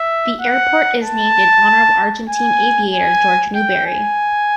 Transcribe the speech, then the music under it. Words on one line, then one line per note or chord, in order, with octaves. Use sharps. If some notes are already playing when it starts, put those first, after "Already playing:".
The airport is named in honor of Argentine aviator Jorge Newbery.
Already playing: E5
F#5
A5
G#5
G#5
G5
G#5